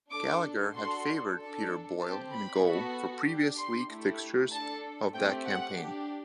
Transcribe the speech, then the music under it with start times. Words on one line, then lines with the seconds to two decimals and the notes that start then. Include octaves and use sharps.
Gallagher had favoured Peter Boyle in goal for previous league fixtures of that campaign.
0.10 D4 A4 D6
0.73 D4 F#4 A4 C6
1.36 D4 A4
1.99 C4 G4 A5
2.31 B5
2.62 B3 F#4 A4
3.25 D4 G4
3.56 C6
3.89 A3 E4 G4
4.51 D4 A4 A5
5.13 A3 C4 G4 G5
5.46 F#5
5.77 D4 G4